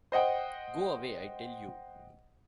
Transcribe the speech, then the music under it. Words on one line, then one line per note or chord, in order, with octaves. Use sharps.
Go away, I tell you.
C5 D#5 F#5 G5